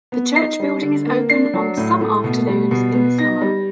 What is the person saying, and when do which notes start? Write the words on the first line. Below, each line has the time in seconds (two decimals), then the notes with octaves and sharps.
The church building is open on some afternoons in the summer.
0.12 B3
0.36 D#4 C7
0.60 G3
0.82 D3
1.06 A#3
1.29 D4 C7
1.54 F#3
1.77 A2
2.01 A3
2.24 B2
2.47 G3
2.71 B2
2.94 B3
3.19 D#4 A#6
3.41 G3